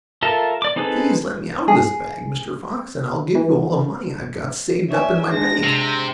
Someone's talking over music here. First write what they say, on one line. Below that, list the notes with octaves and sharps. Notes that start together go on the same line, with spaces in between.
Please let me out of this bag, Mr. Fox, and I'll give you all the money I've got saved up in my bank!
F4 A4 A#4 E5
D5 D6
C4 D#4 G#4 A4 B4
G#4
E3
C#5 D5 E5 G#5
G#3 D4 A#6
C3